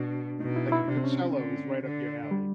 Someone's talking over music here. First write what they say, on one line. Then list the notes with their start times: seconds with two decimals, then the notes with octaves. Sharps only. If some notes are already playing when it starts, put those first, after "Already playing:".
Like a Coachella was right up your alley.
Already playing: B2 D4
0.40 B2 D#4
0.56 E4
0.72 E4
0.88 C3 D4
0.97 C4
1.04 C#4
1.36 D3
1.84 D3
2.31 G3